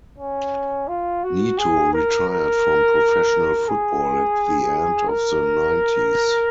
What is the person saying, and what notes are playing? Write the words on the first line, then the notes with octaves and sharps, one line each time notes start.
Neto retired from professional football at the end of the nineties.
C#4
F4
F#4
G#4
A#4
A#4
G#4
A#4